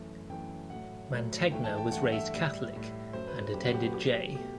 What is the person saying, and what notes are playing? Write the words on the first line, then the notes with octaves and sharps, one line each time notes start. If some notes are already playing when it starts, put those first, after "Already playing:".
Mantegna was raised Catholic and attended J.
Already playing: F#2 E3 A3
F#2 E3 A3 G5
A2 F#3 A3 F#5
A2 F#3 A3
G2 E3 A3 G5
A5
G5
G2 E3 A3 F#5
E5
A2 G3
A2 G3
F#2 F#3 A3 C5
B4
F#2 F#3 A3 G4
F#4
G4
B4
B2 F#3 A3 G4
G4
B2 F#3 A3 G4